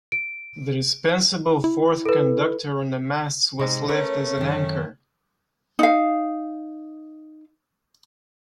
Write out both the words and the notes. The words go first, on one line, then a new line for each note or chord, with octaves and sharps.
The dispensable fourth conductor on the masts was left as an anchor.
D7
E4
A4 B4
G#2 C3 G#3
A3 C#4 A#4 B4 C#5
F#2 D#3
D#4 F5